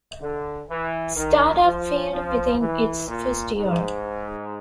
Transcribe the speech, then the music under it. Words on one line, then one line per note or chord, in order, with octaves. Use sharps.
The startup failed within its first year.
D3
E3
D#3
F3
F3
E3
A#2
G#2